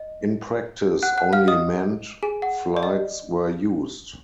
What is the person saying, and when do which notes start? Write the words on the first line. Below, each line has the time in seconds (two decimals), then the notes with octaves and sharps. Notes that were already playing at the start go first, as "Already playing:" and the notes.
In practise only manned flights were used.
Already playing: D#5
1.03 F#5 F#6
1.17 F#5 F#6
1.33 F5 F6
1.48 D#5 D#6
2.23 G#4 G#5
2.42 F#5
2.77 D5
2.83 D#5